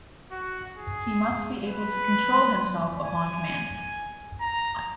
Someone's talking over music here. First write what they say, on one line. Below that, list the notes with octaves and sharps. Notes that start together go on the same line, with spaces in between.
He must be able to control himself upon command.
F#4
G#4
B4
G#5
A#5